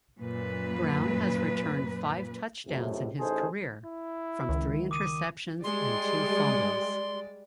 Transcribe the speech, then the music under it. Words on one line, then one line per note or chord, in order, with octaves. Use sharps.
Brown has returned five touchdowns in his career, from three interceptions and two fumbles.
F#2 A#2 B4
C#2 F#2 A2 C3
A1 D#4 G#4 A4 C5
E4
C#2 D#3
D6 D#6 D#7
G3 G#3 D5 C6